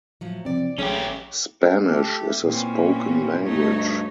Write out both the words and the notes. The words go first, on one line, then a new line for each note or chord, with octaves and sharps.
Spanish is a spoken language.
A2 F3 F#3
C3 E3 F3 C4 D5
A1 F#3 A3 C#4 G4 G#4
A3 G4 A4
A#2 E3 C4 C#4
D2 G2 A3 D#4 C#5